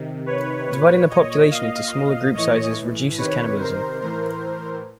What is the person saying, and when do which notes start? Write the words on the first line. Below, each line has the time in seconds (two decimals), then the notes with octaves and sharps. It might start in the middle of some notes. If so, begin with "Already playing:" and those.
Dividing the population into smaller group sizes reduces cannibalism.
Already playing: C3 D#3
0.26 B4 C#5
0.68 A#2
1.09 C#5 D#5
1.51 A#2 D#5 F5
2.34 A2 E3 C#5 D#5
3.17 C3 D#3 B4 C#5
3.59 A#4 C5
4.01 A2 E3 A#4 C5